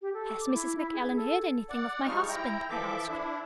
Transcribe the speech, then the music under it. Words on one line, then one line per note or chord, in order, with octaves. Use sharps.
"Has Mrs. Macallan heard anything of my husband?" I asked.
G4
A4
D6
E4
E4
G#4
A4
D5 F#5
F3 G3 G#3 D#4 C#6 F6
E4 G5 A#5
E3 F3 A4 E5 D6
D4 E4